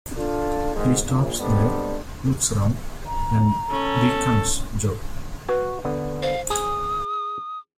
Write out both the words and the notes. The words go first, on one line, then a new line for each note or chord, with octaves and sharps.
He stops there, looks round, and beckons Jo.
D4 F4 A4
D2 G#2 D#3
A#1
D3 G3 G#3 B3 C4 D4
A#5
C#4 A4
F#4 B4
D3 B3
C5 F5
G#4 D#6